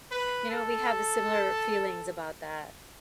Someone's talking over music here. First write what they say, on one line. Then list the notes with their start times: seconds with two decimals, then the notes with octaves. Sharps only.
you know, we had the similar feelings about that.
0.11 B4
0.49 A4